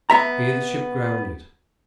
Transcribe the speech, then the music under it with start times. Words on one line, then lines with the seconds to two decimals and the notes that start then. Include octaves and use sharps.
Here the ship grounded.
0.10 B3 E5 A#5